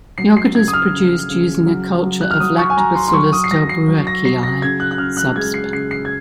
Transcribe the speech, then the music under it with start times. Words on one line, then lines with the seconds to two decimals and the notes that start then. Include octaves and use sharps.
Yogurt is produced using a culture of "Lactobacillus delbrueckii" subsp.
0.18 F#3 C7
0.37 C7
0.55 C#3 G#6
0.68 D#6
0.73 F6
0.92 C#3
1.29 C#3
1.66 F#3
2.03 F#3
2.21 F#6
2.31 F6
2.40 F#3 D#6
2.58 C#6
2.70 G#5
2.77 F#3 A#5
2.95 C6
3.08 C6
3.13 F#3 C#6
3.33 D#6
3.44 C7
3.51 F#3 A#6
3.69 C7
3.88 F#3
4.07 A#6
4.25 F#3 C7
4.43 A#6
4.62 C#3 G#6
4.80 F#6
4.91 F#6
4.98 C#3 F6
5.17 F#6
5.36 G#3 G#6
5.54 C7
5.73 C#3 C7
5.91 C7
6.05 G#6